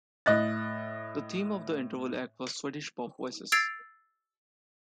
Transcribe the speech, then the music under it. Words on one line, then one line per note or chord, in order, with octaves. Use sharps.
The theme of the interval act was "Swedish Pop Voices".
A2 D#5 F#6 A6
E6 G#6 A6 C7 D7 F7